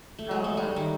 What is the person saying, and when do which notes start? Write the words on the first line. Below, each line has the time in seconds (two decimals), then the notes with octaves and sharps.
Oh, wow.
0.19 A3
0.31 G#3
0.44 A3
0.57 G3
0.76 D#3